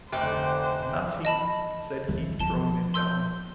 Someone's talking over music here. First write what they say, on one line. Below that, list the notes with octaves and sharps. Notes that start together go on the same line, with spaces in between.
"Nothing," said he, throwing it down.
F1 D3 C5 G5 D6 F#6
D#5 A5 B5
E3
F3 A5 G7
C6 E6 G6